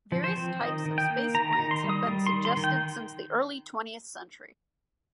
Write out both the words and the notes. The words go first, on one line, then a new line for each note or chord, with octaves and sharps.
Various types of spaceplanes have been suggested since the early twentieth century.
F3
C5
C4
D#3 D#5
D#3
G5
A#3
D#3 A#5
A#5
D#3
C6
G3
D#6
G3
C6
D#3
C6
D#3
G5